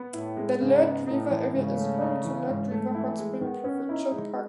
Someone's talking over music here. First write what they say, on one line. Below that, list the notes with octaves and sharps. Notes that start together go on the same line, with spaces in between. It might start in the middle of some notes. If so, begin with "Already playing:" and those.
The Liard River area is home to Liard River Hot Springs Provincial Park.
Already playing: B3
A2 E4
G#3
G#2 C#3
B3
A2 D#4
E3
G#2 C#3
A3
D#4
E3
G#2
A3
E3 E4
G#3
D#3 B3
C#4
D#4 E4
G#3